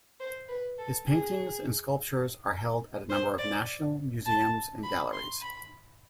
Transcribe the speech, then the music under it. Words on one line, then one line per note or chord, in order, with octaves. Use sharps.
His paintings and sculptures are held at a number of national museums and galleries.
C5
B4
A4
G#4
C5
D5
A5
B5
C6
B5